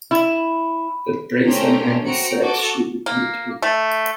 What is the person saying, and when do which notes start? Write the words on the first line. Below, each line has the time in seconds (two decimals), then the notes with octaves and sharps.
That brazen Annie said she’d meet me.
0.11 E4
1.45 A3 C#4 G4 A#4 C5 A#5
2.04 C4 F#4 A#5 C#7 D7
2.39 F#4 A4 A5 D6
3.06 A#3
3.62 A3